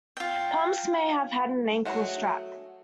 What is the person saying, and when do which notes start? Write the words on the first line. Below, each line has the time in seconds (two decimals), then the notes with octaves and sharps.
Pumps may have an ankle strap.
0.17 F4 G5
1.85 F#3 A3 F#4 G#4